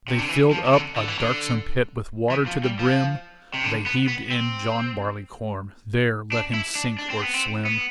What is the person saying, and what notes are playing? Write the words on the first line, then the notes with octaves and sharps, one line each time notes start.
They filled up a darksome pit With water to the brim, They heaved in John Barleycorn-- There let him sink or swim.
C3
D3
E3
F3
C3
D3
D3
E3
D3
E3
F3
G3
F3
C3
D3
B3
B3
C4
D4
E4
D4
D4
C4
B3
C4
B3